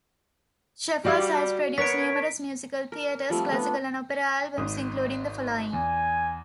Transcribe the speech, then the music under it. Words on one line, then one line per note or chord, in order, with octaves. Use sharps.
Shepard has produced numerous musical theatre, classical and opera albums, including the following.
G3 F#4 D5 F5
B3 A#4 C#5 B6 D7
A#4
F3 G3 A3 C4
A3 B3 D4
G#1 G#2 D#6
E2 G#5